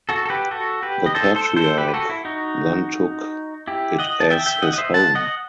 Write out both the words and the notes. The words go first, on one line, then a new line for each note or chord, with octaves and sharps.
The Patriarch then took it as his home.
F#4 A4
A4
G4 B4
F#4 A4
G4 B4
D#5
A4 C5
A4 C5
A4 C5
G4 B4
B4
F#4 A4
E4
D#4 F#4
E4 G4
D#5 F#5
A5
E5 G5
E5 G5
D#5 F#5
D#5
C5 E5
F#5 A5
D#5 F#5